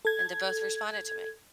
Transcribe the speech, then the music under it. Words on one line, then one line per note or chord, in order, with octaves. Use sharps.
and they both responded to me
A4 G#6